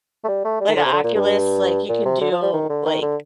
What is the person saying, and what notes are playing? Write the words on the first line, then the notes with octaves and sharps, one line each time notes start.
Like a Oculus, like, you can do, like,
A3
G3
A3
G3
D#3
D3
C3
D3
A#2
G2
A#2
C3
D3
F3
G3
D#3
D3
D#3
D3